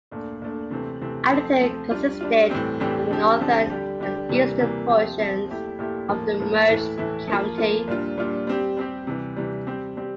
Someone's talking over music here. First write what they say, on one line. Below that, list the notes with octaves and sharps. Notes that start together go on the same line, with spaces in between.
Addington consisted of the northern and eastern portions of the merged county.
A#2 A3 D4
A#2 A3 D4
C3 E3 A3 C4
C3 E3 A3 C4
F3 A3 C4
F3 A3 C4
G3 D4 F4
G3 D4 F4
A2 E3 G3 C4 G4
A2 E3 G3 C4 G4
D3 F3 C4 G4
D3 F3 C4 G4
D3 G3 D4 G4
D3 G3 D4 G4
C3 E3 G3 A#3
C3 E3 G3 A#3
F3 C4 G4
F3 C4 G4
A#2 A3 E4 G4
A#2 A3 E4 G4
A2 F3 A#3
A2 F3 A#3
A2 E3 A3 E4
A2 E3 A3 E4
F3 A#3 F4
F3 A#3 F4
A#2 G3 D4 F4
A#2 G3 D4 F4
G3 C4 G4
G3 C4 G4
C3 E3 G3
C3 E3 G3
G3 C4 G4
G3 C4 G4